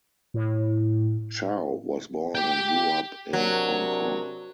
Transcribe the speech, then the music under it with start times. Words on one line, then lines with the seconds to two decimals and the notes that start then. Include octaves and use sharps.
Chow was born and grew up in Hong Kong.
0.34 A2
2.35 G4 G5
3.33 C3 F#3 D4 A#4